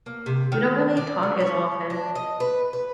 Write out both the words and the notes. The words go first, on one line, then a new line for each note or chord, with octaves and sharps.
we don't really talk as often.
A#3
C3
D#3
D5
D3
C#5
D4
D#5
B4
B4